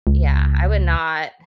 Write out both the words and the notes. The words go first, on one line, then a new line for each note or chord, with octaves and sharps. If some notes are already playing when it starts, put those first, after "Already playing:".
Yeah, I would not
C#2